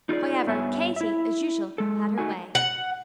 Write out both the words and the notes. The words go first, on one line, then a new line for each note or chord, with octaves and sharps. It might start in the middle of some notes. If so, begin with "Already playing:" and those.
However, Katy, as usual, had her way.
D#4 F4 G#4 D5
G2 B3 C#5 E5 G#5
E4 E5
G#3 A4
A3 D#4 F#4 G#5
F#5